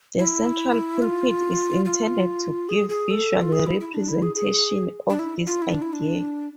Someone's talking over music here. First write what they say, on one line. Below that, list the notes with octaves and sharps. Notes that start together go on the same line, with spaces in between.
The central pulpit is intended to give visual representation of this idea.
E4
F4
F4
G#4
G#4
A4
F4
G#4
E4
E4
D4
E4
G#4
G#4
D4
E4
F4
E4
D4
E4
D4